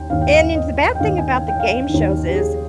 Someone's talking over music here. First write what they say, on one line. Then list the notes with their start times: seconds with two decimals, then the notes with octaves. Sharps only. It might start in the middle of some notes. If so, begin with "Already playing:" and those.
and and the bad thing about the game shows is,
Already playing: D#2 G5
0.10 D#2 D#3 F5
0.22 G5
0.33 F5
0.55 D#5
0.95 G5
1.00 D#2 D#3 F5
1.18 G#5
1.30 G5
1.48 G5
1.60 F5
1.89 D#2 D#3
2.29 G4
2.35 G#4